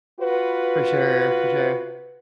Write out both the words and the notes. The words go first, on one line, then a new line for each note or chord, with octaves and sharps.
For sure, for sure.
F4 F#4 B4